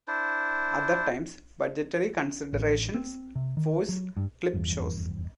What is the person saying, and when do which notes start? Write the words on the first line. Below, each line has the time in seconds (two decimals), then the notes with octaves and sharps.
Other times budgetary considerations force clip shows.
0.08 D4 E4 C5
2.53 A1
2.94 C4
3.35 C3
3.57 D#3
3.89 F#3
4.17 G2
4.53 F1 E2 G2